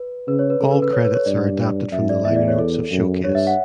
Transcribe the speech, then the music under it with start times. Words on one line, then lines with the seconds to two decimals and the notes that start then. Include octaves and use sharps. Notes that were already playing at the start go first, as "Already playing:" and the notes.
All credits are adapted from the liner notes of "Showcase".
Already playing: B4
0.28 C#3 B4
0.39 C#5
0.50 B4
0.60 C#3 A4
0.71 B4
0.82 B4
0.93 C#5
1.05 B4
1.15 C#5
1.26 G2 D5
1.92 F#2 E5
2.09 D5
2.25 E2 E5
2.36 D5
2.48 C#5
2.59 A4
2.91 F#2
3.24 G2 C#5
3.35 E5
3.47 F#5